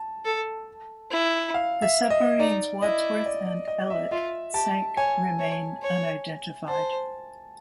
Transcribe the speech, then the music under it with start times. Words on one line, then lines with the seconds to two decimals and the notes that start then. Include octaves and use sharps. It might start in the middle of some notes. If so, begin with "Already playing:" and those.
The submarines "Wadsworth" and "Ellet" sank remain unidentified.
Already playing: A5
0.25 A4
1.11 E4
1.54 F5
1.82 E5
2.10 D#5
2.40 D#4 D5
2.82 E4 D#5
3.26 D5
3.46 D5
3.68 D#5
3.90 E5
4.11 F4 E5
4.54 G4 A5
4.97 C#5 G#5
5.40 C#5
5.83 C#5
6.68 C5 A5